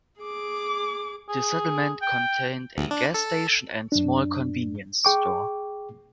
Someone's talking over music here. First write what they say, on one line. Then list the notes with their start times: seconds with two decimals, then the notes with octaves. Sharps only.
The settlement contained a gas station and small convenience store.
0.20 G#4 D6
1.29 G#4
2.02 G5
2.77 D2
2.91 D4
3.14 A4
3.92 F#2 D4
5.05 G#4 G5 C#6 D6